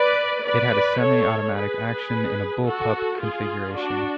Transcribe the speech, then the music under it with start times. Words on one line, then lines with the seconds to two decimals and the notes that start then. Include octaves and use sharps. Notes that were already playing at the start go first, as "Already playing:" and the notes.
It had a semi-automatic action in a bullpup configuration.
Already playing: B4 D5
0.45 B4 D5
1.01 A4 C#5
1.56 G#4 B4
2.66 F#4 A4
3.21 F4 G#4
3.76 D4 F#4